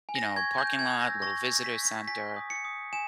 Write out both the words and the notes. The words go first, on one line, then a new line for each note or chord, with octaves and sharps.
you know, parking lot, little visitor center,
G#5
A#6
C#6 G#6
G6
G#5
G#6
E6
A#6
C#6 A#6
G#5
B6
G6
G#5 B6
D#6
C#7
D#6
G#5 E7